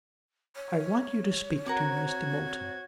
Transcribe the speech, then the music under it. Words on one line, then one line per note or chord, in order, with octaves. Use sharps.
'I want you to speak to Mr. Moulton....
C#5
C4 F#4 A#4 F#5 D6 G#6